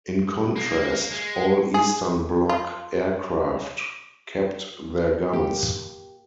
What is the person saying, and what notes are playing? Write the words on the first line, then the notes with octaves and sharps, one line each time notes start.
In contrast, all Eastern Bloc aircraft kept their guns.
A#3
G#3
G#4
F4
A#3 G4